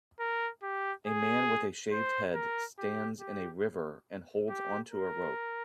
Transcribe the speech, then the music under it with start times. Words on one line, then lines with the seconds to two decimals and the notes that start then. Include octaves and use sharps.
A man with a shaved head stands in a river and holds onto a rope.
0.20 A#4
0.63 G4
1.07 G#4
1.92 C5
2.34 A#4
2.78 G4
3.20 G4
4.50 G4
4.92 A#4